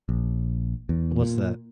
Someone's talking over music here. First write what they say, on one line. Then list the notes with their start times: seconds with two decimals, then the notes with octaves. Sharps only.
What's that?
0.09 A#1
0.89 E2
1.22 A#2